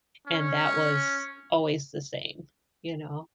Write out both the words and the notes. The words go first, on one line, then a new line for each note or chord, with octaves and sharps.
and that was always the same, you know?
C#4